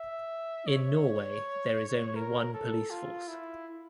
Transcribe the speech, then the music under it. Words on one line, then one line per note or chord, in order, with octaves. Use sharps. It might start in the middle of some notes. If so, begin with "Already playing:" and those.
In Norway there is only one police force.
Already playing: E5
C#5
A#4
A4
F4
E4